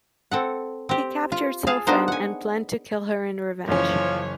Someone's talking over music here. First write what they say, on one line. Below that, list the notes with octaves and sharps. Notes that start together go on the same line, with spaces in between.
He captured Sofen and planned to kill her in revenge.
C4 A4 F#5
C4 G4
F4
G#4 F5 A5
B3 D4 D#4 F4 A#4 C5
F#5 G#5
F#1 C#3 E3 F3 C#4 C#5